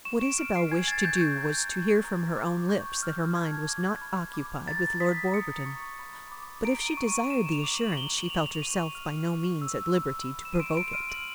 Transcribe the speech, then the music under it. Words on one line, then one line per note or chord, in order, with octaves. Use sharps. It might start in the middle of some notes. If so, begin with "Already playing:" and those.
What Isabel wished to do was to hear from her own lips that her mind was not occupied with Lord Warburton; but if she desired the assurance she felt herself by no means at liberty to provoke it.
C#6 E7
D7
F6 D7
C7
G#5 G#6
A6
C#6 G6
G6
A#5 G6
C#6
A#5
D6
C#6 G6
F6
A5 G#6
D6
B5
D6
A#5 A6
D#6 B6
A#5 C#7
C#6
B5
D6
A#5 D7
D#7
C#6
D#7
A#5 E7
F7
D6
F#7
A#5 G7
F#7
D6 F7
F7
C#6 D#7
F6
C#6
E6
B5
E6
E7
D#7
C6 D7
D7
F6 D#7
F#7